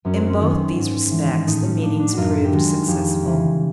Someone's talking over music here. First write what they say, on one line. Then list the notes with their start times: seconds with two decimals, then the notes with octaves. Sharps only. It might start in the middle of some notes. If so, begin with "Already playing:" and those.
In both these respects the meetings proved successful.
0.05 F#2 C#4
0.16 C4
0.26 C#4
0.41 D#3 G#3
0.76 G#2
1.11 E3 G#3
1.46 A2 D#4
1.65 C#4
1.81 F3 A3 D4
2.00 D4
2.13 F#2 F4 F#4
2.45 G4
2.52 D#3 G#3 F#4
2.87 F2 G4
3.23 C#3 E3